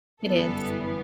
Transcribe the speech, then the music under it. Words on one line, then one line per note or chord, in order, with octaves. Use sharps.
It is.
G1 F#2 E3 G3 B3 A4